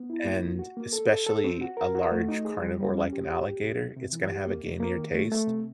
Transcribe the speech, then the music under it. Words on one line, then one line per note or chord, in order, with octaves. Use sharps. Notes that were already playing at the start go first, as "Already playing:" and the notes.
and especially a large carnivore like an alligator, it's gonna have a gamier taste.
Already playing: B3
E4
A#3
A#3
F#4
A#3
A4
A4
A4
C4
F#4
A#4
F#4
A3
D#4
G#4
G3
G3
C#4
G4
G4
G4
C3
C3
C3
E3
G4
A#3
A#3
A#3
D#3
A3
A3
C3